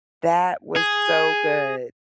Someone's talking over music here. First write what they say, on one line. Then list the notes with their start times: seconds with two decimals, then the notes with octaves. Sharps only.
That was so good.
0.76 G#4